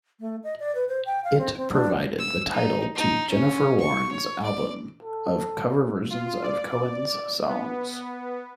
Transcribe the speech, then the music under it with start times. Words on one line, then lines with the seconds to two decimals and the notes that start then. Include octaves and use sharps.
It provided the title to Jennifer Warnes' album of cover versions of Cohen's songs.
0.20 A3
0.44 D#5
0.60 D5
0.75 B4
0.89 C5
1.06 G5
1.24 F5
1.38 C4
1.57 C4
1.72 D4
2.18 E6
2.52 D#4
2.95 D#4
3.29 C#4
3.79 C#6
4.11 C#5
4.43 D5
5.03 A4
6.10 F4
6.43 D5
7.48 B3